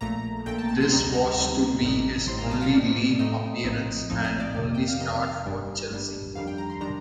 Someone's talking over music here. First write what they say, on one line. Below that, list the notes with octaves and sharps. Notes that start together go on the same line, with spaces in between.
This was to be his only league appearance and only start for Chelsea.
A#1 A#2 A3 A#5
A#1 A#2 A3 G5
A5
A5
C6
D2 C3 G3 C4 D#4 A#5
A#5
D2 C3 G3 C4 D#4
A1 A2 G3 C4 D#4
A1 A2 G3 C4 D#4 C6
A#5
A5
F5
A2 A3 C4 D#4 D5
A2 A3 C4 D#4 D#5
A#1 A2 F3 C4 D#4
A#1 A2 F3 C4 D#4
D#5
D5
F2 C3 D#3 D5
G5
F5
F2 C3 D#3 D#5
F5
G1 G2 D#3 G3 D4
G1 G2 D#3 G3 D4
F2 D#3 G3 D4 F5
G5
A#5
C6
D#3 G3 D4 A#5